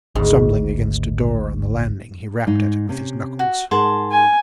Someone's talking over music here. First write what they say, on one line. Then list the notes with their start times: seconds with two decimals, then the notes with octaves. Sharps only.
Stumbling against a door on the landing, he rapped at it with his knuckles.
0.15 G#1 D2 G#2
2.47 G#2 D#4
2.89 C3 C#4
3.39 F#4
3.71 G#2 G#4 A#4 F#5 A5 C6
4.12 G#5